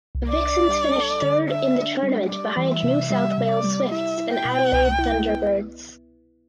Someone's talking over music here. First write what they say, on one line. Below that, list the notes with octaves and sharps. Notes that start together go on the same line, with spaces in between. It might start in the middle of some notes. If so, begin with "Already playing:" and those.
Vixens finished third in the tournament behind New South Wales Swifts and Adelaide Thunderbirds.
C2
D5
D4
G3
A4
D3
D4 E5
D4
G3
G3 D5
E3
E5
C3
G3 E5
C3
D5
G3
E4 E5
E4
G5
B2
C2
E4
B3